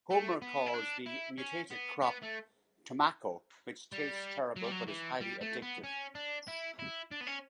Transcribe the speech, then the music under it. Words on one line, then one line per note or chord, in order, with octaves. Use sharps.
Homer calls the mutated crop "Tomacco," which tastes terrible, but is highly addictive.
A3
B3
E4
D4
E4
C#4
B3
B3
A3
G3
F#3
G3
F#3
E3
G3
A3
B3
C#4
D4
E4
E4
D4
B3
C#4